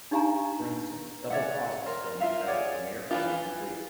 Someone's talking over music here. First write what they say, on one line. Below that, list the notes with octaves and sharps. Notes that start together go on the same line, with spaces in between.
For instance, "Double Cross" was filmed as the premiere for Season Three.
D4 D#4 G4 F5 G#5 A#5
C#5 D5 E5 F#5
A#4 C5
F4 A#4 E5 F5
G#4 C#5 D5 F#5
E3 F3 F4